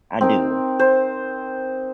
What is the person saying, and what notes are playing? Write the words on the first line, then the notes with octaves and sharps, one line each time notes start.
I do.
C4 D#4 A#4
C5